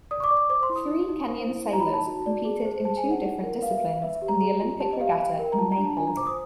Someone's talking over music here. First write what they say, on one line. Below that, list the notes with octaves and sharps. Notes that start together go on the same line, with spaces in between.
Three Kenyan sailors competed in two different disciplines in the Olympic Regatta in Naples.
D5 D#6
C#6
D6
D5
D6
C5 D6
C6
E4
D#6
D#4
D#4
C5
E4
D#4
A#5
B5
D#4
A5
F#4
D5
G#4
C5
G#4 A5
G#5
G#4
F#5
E4
A#4
B4 F5
E5
F5
B4
B4 E5
E5
G4
A#5
G#4
F4
G4 A5
D#5
G4 F5
E5
G4 F5
G5
A#4
G5
A#5
F4 A5
A#5
D4
A5
F4 G#5
A#5
C5 D6
D#6